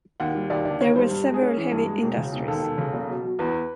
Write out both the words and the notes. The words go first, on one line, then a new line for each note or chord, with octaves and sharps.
There were several heavy industries.
D#2 F#5
G3
D#2 D5
D3 D5
D#2 C#5
G3 C5
G2
G#3
G#4
C#4
E3
G2
G#3
E1
C#3
E1
D#2 A4
E1
C#3
F#1
B2
F#3
E2 B4